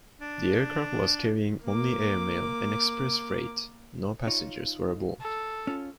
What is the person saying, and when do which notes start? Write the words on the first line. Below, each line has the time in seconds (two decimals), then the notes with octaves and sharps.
The aircraft was carrying only airmail and express freight; no passengers were aboard.
0.21 D4
1.65 A#3 D6
4.27 D#4 F4 C#5
5.22 A4
5.67 C#4 F4